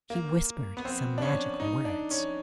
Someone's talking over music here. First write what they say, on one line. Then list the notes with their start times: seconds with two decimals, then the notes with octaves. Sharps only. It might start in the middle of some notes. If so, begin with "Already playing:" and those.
She whispered some magical words.
0.10 A#3
0.77 B3
0.85 C4
1.18 D4
1.22 C#4
1.60 D#4
1.85 D4
2.11 C#4